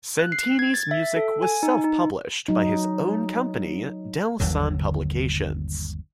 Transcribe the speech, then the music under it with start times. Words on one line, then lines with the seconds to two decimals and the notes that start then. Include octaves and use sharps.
Santini's music was self-published by his own company, DelSan Publications.
0.19 F#6
0.32 C7
0.59 G#6
0.74 A6
0.91 E5
1.16 A4
1.42 G#5
1.63 D#4
1.84 D#4
2.48 F#3 D#4
4.40 G1 D#2 D3 F#3